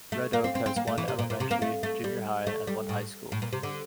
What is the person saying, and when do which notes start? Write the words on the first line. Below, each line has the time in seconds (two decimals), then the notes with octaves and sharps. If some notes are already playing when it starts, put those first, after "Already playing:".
Red Oak has one elementary, junior high, and one high school.
0.12 A3
0.33 A#3
0.44 C4
0.55 C4
0.66 C4
0.76 A#3
0.87 A3
0.98 E3
1.08 C3
1.19 A#2
1.30 A#2
1.40 C3
1.51 A#3
1.62 A3
1.83 A3
2.04 G3
2.47 A3
2.67 G3
2.89 A2
3.32 A2
3.42 A#2
3.53 C3
3.63 D3